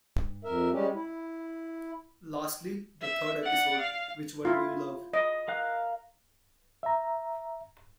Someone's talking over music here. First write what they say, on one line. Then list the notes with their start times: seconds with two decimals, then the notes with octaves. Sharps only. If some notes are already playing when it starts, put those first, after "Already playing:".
Lastly, the third episode, 'Which One Do You Love?
0.45 F2 A#4 E5
0.73 G3 G#3 C#4 G4
0.95 E4
3.01 E5
3.42 D5 F#5
3.80 F5
4.45 E4 F4
5.13 D#5
5.48 A#4 F5 F#6
6.83 E5 A#5